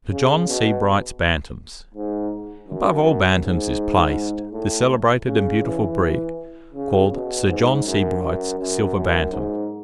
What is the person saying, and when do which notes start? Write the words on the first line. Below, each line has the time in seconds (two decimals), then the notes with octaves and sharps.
SIR JOHN SEBRIGHT'S BANTAMS.--Above all Bantams is placed, the celebrated and beautiful breed called Sir John Sebright's Silver Bantams.
0.11 C#3
0.47 B2
1.94 G#2
2.68 F#2
3.42 G#2
4.53 A2
5.26 C#3
5.63 E3
6.73 C#3
7.11 B2
7.47 G#2
7.85 F#2
8.21 F#2
8.59 F#2
8.95 F#2
9.32 G#2